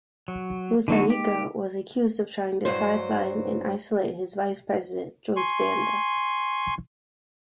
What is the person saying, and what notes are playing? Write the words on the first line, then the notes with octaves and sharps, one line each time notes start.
Mutharika was accused of trying to sideline and isolate his vice-president, Joyce Banda.
F#3
D3 F#3 G#3 A#3 D#4 F#4
G4
G2 F#3 C5
G#5 C6 C#6